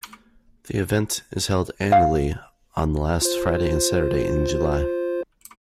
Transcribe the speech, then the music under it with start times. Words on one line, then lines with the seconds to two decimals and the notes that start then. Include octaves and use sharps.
The event is held annually on the last Friday and Saturday in July.
1.92 F5
3.22 F4 C5